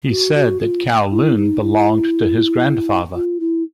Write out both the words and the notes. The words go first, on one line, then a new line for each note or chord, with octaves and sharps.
He said that Kowloon belonged to his grandfather.
F#4
F#4
F4
E4
D#4
E4
F4
E4